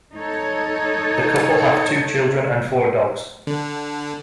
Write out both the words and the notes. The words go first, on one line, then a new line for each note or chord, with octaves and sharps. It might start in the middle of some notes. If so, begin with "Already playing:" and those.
The couple have two children and four dogs.
D#4 A4 C#5
D3